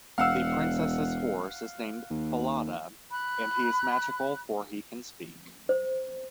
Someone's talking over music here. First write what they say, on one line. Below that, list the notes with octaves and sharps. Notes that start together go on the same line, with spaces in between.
The princess's horse is named Falada, and he is magical for he can speak.
E1 F5 F#5 E6
D#2
B5 F#6
C5